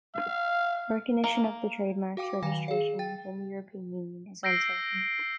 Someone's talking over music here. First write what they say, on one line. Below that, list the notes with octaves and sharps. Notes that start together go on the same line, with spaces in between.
Recognition of the trademark's registration within the European Union is uncertain.
F5
A#3
F#4 F5 G5 D6
D#3 F#3 F5 G#5 A#6
G#4 F5
G5 A6
E6 G6 A#6 C7 D7 G7